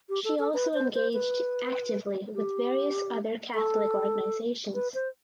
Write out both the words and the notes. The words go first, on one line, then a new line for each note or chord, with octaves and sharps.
She also engaged actively with various other Catholic organisations.
G4
A4
A4
B4
C5
C5
B4
G4
A4
B4
C5